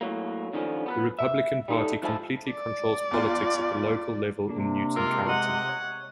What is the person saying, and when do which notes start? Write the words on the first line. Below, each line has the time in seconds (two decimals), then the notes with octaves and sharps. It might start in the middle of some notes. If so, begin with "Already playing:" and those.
The Republican Party completely controls politics at the local level in Newton County.
0.01 A2 F#3 A#3
0.53 D3 D#3 F3 C#4
0.86 B3 A4 B4
1.19 E5
1.68 G3 D#4 A4
2.02 D#3 F3 G#3 E4 F#5 A5
2.51 D5
3.11 E2 F4
4.49 C3 A#3 D4
4.96 G#3 A#3 F4 C5 E6
5.28 D#5 F#5
5.69 C#5